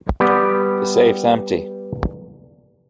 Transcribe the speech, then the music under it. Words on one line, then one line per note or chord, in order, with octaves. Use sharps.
The safe's empty.
G3 B3 G4